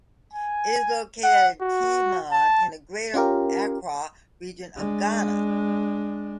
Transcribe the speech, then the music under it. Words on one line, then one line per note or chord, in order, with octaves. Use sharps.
It is located at Tema in the Greater Accra Region of Ghana.
G#5
F#5
F#4
A5
C#4 F4 G4 A#4
G#3 D4